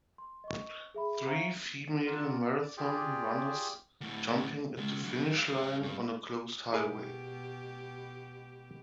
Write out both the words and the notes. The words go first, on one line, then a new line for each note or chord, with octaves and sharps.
Three female marathon runners, jumping at the finish line on a closed highway.
C6
D#5 C#6
G#4 E5 B5
C5 E5 F5 G5 A#5 C#6
F4 A#4 D5 F#5
D5
F4 G4 G#4 D5 G5
D2 A2
C#3 G#3
F#3 D4
G3 F5
G2
B2 E4 G4 G#4 A#4